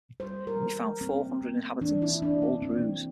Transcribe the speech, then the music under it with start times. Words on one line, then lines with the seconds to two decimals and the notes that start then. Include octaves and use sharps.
He found four hundred inhabitants, all Druze.
0.20 G3 C5
0.47 A#4
0.60 E3
1.01 A#3 C4
1.42 A#3
1.81 E3 D4
2.02 E4
2.22 A#3 D4
2.42 C4
2.62 E3 C4